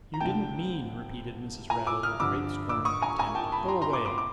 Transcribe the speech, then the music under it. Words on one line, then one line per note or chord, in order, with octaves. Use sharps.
'You didn't mean!' repeated Mrs. Raddle, with great scorn and contempt. 'Go away.
A#5
C2 C3 F3 A3 D4 G5 A5
G#5 A#5
D6 E6
D#6 F6
G2 D3 F3 D6 E6
D6 E6
C#6 D#6
G#5 A#5
G#5 A#5
G5 A5
A5 B5
A#5 C6
A#5 C6
C6 D6
C6 D6
D6